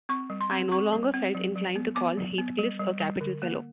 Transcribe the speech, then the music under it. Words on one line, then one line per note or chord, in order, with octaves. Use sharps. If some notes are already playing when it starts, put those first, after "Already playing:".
I no longer felt inclined to call Heathcliff a capital fellow.
C4 C#6
G3
C6
C4
C4 C#6
G3
C4
F#3
F#3
B3
B3 D6
F#3
B3
G3
G3
G3
D3
A#3